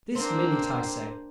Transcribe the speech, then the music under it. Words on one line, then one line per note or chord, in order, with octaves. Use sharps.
This minute, I say.
A#3 C4 D4 C5